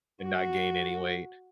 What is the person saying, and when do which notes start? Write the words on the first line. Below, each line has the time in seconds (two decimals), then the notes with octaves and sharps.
and not gain any weight.
0.24 F#4